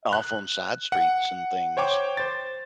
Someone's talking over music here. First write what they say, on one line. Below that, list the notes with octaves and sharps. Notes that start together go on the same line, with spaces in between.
off on side streets and things,
F#6
F#5
C5 C#5 G5 D6
C5 A6